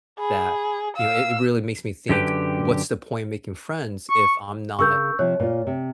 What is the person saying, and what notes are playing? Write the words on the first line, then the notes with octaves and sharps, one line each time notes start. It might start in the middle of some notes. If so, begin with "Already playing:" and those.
that, you know, it it really makes me think what's the point in making friends if I'm not
G#4 B5
F5 E6
F#2 D3 G4 B4 G5
C#6
C#3 A#4 C#6 E6 G6
C3 F3 C#5
A#2 F4
C3